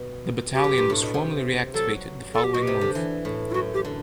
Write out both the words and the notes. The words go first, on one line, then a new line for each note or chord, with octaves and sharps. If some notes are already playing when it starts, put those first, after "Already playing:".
The Battalion was formally reactivated the following month.
Already playing: B2
G4
F#2
G2
A2
B2
C3
F#3 A4
A4
G4
B2 F#4
C3 G4
D3
E3
A2
E4
F#2 F#4
G4
D3